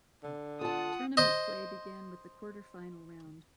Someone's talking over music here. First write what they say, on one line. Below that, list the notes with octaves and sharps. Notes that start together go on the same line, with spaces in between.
Tournament play began with the quarterfinal round.
D3
F4 A4 F#5 A5 D#6
C5 D#5